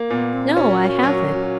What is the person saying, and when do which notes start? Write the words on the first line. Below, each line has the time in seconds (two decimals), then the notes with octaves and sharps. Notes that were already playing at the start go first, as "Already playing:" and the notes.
"No, I haven't."
Already playing: A#3
0.10 A#2 B3
0.33 C4
0.57 C#4 F#4
1.03 F#3